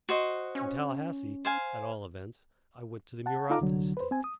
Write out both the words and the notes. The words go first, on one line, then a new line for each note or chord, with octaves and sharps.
In Tallahassee, at all events, I went to the Murat estate.
F#4 C5 D#5
C#4
C5 F5 G#5
F#5 A5
D#4 F4 A4 F5 A#5 D6
C2 D3 F#3
B4 C5
C4 G#5
D#6